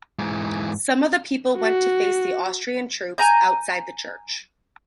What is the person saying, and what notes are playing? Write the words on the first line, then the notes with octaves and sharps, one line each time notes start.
Some of the people went to face the Austrian troops outside the church.
G#2 E3
F#4
G#5 A#5 G6